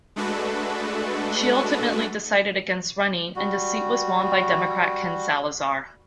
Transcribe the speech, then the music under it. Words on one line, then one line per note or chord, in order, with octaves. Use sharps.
She ultimately decided against running, and the seat was won by Democrat Ken Salazar.
G#3 A3 D4 F#4 A4 B4
G3 F#4